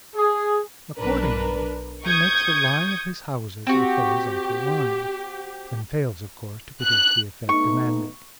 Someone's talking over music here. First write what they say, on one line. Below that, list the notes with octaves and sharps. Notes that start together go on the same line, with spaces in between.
Accordingly he makes the line of his houses a horizontal line, and fails of course to produce the effect demanded.
G#4
B1 D4 A#4 B4
C#6 D#6 G6 G#6
C4 F#4 G4
F#6
A3 B3 D#4 C#6